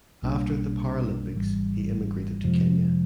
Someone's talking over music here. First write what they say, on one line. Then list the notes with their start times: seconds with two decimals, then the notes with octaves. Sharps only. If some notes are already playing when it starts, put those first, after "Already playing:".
After the Paralympics he immigrated to Kenya.
0.22 B1 B2 G3 A#3 D4
1.33 G#1 G#2 E3 G3
2.44 F2 C3 F3 G#3